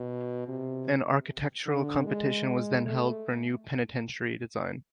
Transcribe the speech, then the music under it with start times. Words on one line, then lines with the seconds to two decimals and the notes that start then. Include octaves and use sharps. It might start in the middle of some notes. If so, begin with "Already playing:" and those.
An architectural competition was then held for a new penitentiary design.
Already playing: B2
0.48 C3
1.66 D3
2.06 G#3
2.85 A3